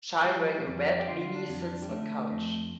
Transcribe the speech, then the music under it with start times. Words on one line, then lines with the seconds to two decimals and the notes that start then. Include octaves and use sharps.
Child wearing red beanie sits on couch.
0.25 F3 G3
0.66 F2
0.99 G4
1.08 D3 F4
1.35 D4
1.49 F2
1.62 D4
1.82 G3
1.89 D3 A3
2.30 F2